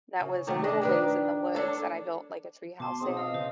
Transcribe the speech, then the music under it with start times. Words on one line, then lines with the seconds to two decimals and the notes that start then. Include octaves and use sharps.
that was a little ways in the woods that I built, like, a tree house in,
0.20 C#3
0.47 C3 D#3 A3
0.64 D4 D#5
0.81 D#3 D4 B4
1.55 D4 A4 C#5
2.80 B2 A5 C6 D6
3.01 G#2 C4 D#6
3.17 E2 D#5 F5
3.34 C#3 C5